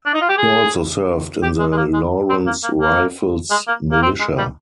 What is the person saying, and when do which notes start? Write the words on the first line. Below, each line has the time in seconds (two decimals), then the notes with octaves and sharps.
He also served in the Lawrence Rifles militia.
0.06 D4
0.14 D#4
0.21 F4
0.29 G4
0.38 G#4
1.42 G4
1.59 G#3
1.72 G#3
1.77 A#3
1.93 G#3
2.29 C4
2.46 A#3
2.63 A#3
2.81 A#3
3.51 G#3
3.67 A#3
3.92 A#3
4.03 C4
4.20 G#3
4.38 G3